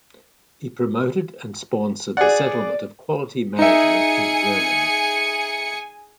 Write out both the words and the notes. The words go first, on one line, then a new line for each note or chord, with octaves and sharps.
He promoted and sponsored the settlement of quality management in Germany.
G#4 D5 F#5
D#4 G#4 E5 G#5 C#7